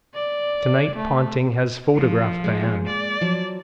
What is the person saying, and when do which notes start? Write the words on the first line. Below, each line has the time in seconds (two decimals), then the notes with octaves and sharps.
To-night Ponting has photographed the hand.
0.14 D5
0.96 A3
1.94 F3
2.44 G#3 A#3
2.87 D5
3.21 F3 F#3